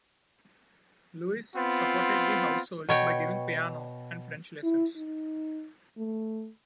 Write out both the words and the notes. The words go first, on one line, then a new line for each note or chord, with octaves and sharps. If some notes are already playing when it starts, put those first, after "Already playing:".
Luise supported the household by giving piano and French lessons.
B3 C4 F4
B2 C#5 G5
E4
D#4
A3